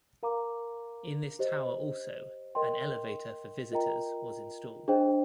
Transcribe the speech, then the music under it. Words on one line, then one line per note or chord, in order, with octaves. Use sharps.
In this tower also an elevator for visitors was installed.
A#4 F5 A#5 D6
G4 C5 D#5
A#4 D#5 G5 C6
F4 A#4 D#5 G5 A#5
D4 G#4 C5 D#5 G5